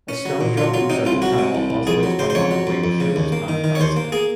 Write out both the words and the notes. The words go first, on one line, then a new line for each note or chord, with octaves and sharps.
A stone dropped in such a tunnel oscillates harmonically with Schuler's time constant.
C#4
F#3
A#2
F#3 F4
F#3 F4
C3 D#4
C2 F4
F#3 F#4
C3
C2
C2
F2 G#4
F#3
C#3 C5
C5
F2 C#5
F#3
F2
F2
C#3
D#2
A#3
D#3
D#3
C#5
D#2 C5
A#3
A#3 G#4